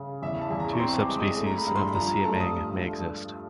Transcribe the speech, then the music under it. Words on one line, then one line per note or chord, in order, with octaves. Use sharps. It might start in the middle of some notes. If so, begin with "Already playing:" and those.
Two subspecies of the siamang may exist.
Already playing: C#3
E2 E5
A5
E2
A#5
C#6
C4 C6
D6
G#3
D#6
A3
A#5
B5
G2
C6
F3 A#5
A3 A5
D#6